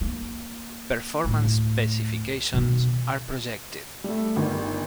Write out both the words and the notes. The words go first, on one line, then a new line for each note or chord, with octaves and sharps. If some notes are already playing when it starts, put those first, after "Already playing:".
Performance specifications are projected.
A#3
D2 A2
B2 D#3
G3 A3
G1 D#3